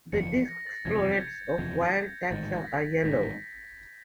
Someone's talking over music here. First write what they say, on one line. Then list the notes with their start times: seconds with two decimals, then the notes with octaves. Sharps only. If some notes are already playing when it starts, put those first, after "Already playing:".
The disc florets of wild taxa are yellow.
0.12 F#1 E2 C3 F3 C#7
0.49 A#6
0.60 A#6
0.67 A6
0.85 F#1 E2 C3 F3 G#6
1.12 G6
1.21 G#6
1.49 G6
1.58 F#1 E2 C3 F3 G#6
1.94 G#6
2.30 A1 G#2 D#3 A6
2.58 A#6
2.67 B6
2.99 B6
3.04 A1 G#2 D#3 A#6